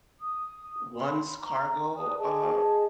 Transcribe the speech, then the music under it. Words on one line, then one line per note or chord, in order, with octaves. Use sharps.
once cargo, uh,
D#6
B5 C6
A#5
B4 D5 D#6
G#4 D#5 A5